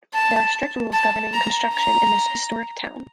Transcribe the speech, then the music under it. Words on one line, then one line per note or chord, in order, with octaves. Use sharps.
There are strict rules governing construction in this historic town.
A5
A5
A#5
A#5